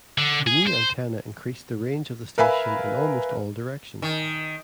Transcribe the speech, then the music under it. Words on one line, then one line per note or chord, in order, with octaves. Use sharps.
The new antenna increased the range of the station in almost all directions.
D3
G#4
C5
A#4 B4 E5 F5 G#5 B5
D#3